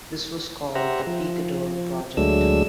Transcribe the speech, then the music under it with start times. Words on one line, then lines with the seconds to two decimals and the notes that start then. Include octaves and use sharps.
This was called the Picador project.
0.75 G4 C5 E5 F#5 A#5
1.07 F3
2.17 D2 F#3 G#3 A3 D4 E6